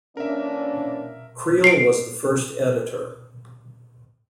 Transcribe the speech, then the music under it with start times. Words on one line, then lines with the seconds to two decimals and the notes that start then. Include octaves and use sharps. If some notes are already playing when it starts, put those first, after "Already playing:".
Creel was the first editor.
0.17 E3 A#3 C#4 D4 A#4 E5
1.64 C7 D7